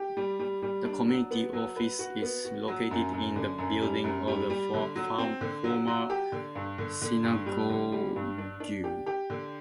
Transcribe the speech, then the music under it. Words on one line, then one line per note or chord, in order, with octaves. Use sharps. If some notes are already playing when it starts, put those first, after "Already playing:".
The community office is located in the building of the former synagogue.
Already playing: G4
G3
G3
G3
D4
F#3
B3
F#3
B4
F#4
B3
F#4
F#3
F#2
F#2
D3
F#2
G3
F#2
G3
G3
D3
F#3
C4
D3
F#3
F#3
G4
D3
G2
D3
D3
G2
G3
D3
G3
G2
D4
D4
G4
G4
D3